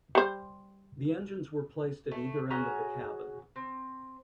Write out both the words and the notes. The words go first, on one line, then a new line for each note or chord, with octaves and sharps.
The engines were placed at either end of the cabin.
G3 C5
A3
C#4 F#4 G#4 A#5
C4